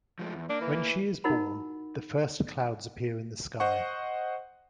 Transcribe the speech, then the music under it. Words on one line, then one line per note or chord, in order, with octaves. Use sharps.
When she is born, the first clouds appear in the sky.
F3 G#3 A3
E2
A#3 D4
E3
D#4 E4 F#4 A#4 F#5 B5
C5 D#5 F#5 C#6